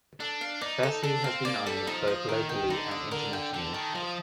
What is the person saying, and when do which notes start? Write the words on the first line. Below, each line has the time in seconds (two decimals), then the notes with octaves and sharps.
Bassey has been honoured both locally and internationally.
0.20 D4 A4
0.41 F5
0.61 D#4 D5
0.83 A4
1.04 D4 A4
1.24 C4 F5
1.45 A#3 D5
1.66 G3 A4
1.87 F3 D#4
2.08 D#5
2.29 D#3 A#4
2.49 G5
2.70 D3 D#4
2.91 D#5
3.11 D3 A#4
3.33 G5
3.53 D3 A4
3.74 D#3 A5
3.95 F3 D#5